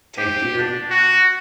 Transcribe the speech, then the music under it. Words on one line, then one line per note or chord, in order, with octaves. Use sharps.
thank you.
G4
D4
F#4